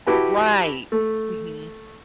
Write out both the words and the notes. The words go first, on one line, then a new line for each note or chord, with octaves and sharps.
Right. Mhm.
E4 F#4 G4 B4 A5
A3